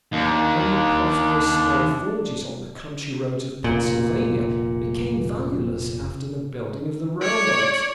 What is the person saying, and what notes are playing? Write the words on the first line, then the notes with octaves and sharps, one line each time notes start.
Many prosperous small forges on the country roads of Pennsylvania became valueless after the building of the railroads.
D#2 D4
F1 A#2
C#5 D5